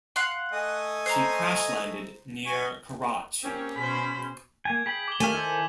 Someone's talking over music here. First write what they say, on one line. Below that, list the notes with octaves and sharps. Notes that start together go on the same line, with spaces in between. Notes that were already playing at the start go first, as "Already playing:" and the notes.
She crash-landed near Karachi.
F5 F#5 C6
A3 D#5 G#5
C5 A#5
G#5 C#6
A#3 C4 C#4 G4
B2 G#4 C5 B5
A#3 G#5 G#6
G#4 G5 B5 B6 F#7
D6 G7
D#3 A3 G4 F5 G#5
E4 A4 C5